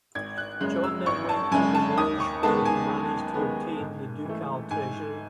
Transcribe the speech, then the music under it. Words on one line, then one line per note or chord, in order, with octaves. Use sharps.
John then went to Limoges where he managed to obtain the ducal treasury.
G#1 G#6
F#6
F#2 C#3 G#3 F#6
E6
G#1 C#6
A5
F#2 C#3 G#3 G#5
A5
D#2 D#6
C#6
D#3 G#3 B3 A5
G#5
D#2
D#3 G#3 B3
G#2
E3 A3
G#2 G#5